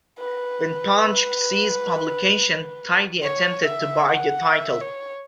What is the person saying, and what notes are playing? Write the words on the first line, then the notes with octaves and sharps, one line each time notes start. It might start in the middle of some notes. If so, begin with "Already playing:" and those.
When "Punch" ceased publication, Tidy attempted to buy the title.
B4
C#5
E5
F#5
E5
C#5